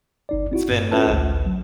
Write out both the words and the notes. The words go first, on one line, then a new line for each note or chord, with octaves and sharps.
It's been, uh
G1 D#4 D5
C4 E4 F#4
G2
C#4 F4 A4 B4 A5
A1 D2
F#3